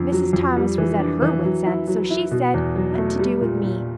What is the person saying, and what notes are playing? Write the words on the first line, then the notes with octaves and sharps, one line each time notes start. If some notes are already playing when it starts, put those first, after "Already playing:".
Mrs. Thomas was at HER wits' end, so she said, what to do with me.
Already playing: F2 D3
F#3
F2
G3
E3
D4
E3
F#3
E4
F#3
E4
B2
E2
F#3
A3
G3
A#2
A#2